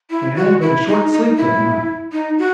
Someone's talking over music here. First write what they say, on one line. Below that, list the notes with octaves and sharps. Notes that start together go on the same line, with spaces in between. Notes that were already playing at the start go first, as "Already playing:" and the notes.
They had but a short sleep that night.
E4
F#4
E4
D#4
D#4
E4
D#4
F#4